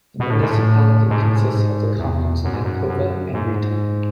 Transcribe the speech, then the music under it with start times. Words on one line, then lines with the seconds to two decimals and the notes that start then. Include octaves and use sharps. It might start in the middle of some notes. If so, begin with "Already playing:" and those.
The municipality consists of the communes Nancova and Rito.
0.19 B2
0.30 A2
0.41 G#2
0.51 A2
1.10 G#2
1.23 A2
1.36 G#2
1.98 E2
2.44 F#2
2.54 G#2
2.64 F#2
2.88 F#2
3.33 G#2